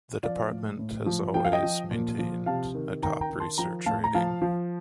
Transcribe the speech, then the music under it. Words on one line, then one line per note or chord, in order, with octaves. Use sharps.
The department has always maintained a top research rating.
F3 D5 F5
A2
A2
F3
F3 G5
F5
D#5 G5
F3
A#2
F3
C3 F5 A5
D#3
D#3 G5 A#5
G5 A#5
D#3
A5 C6
F3 G5 A#5
A2 F5 A5
A#5
F3 F5 A5
F3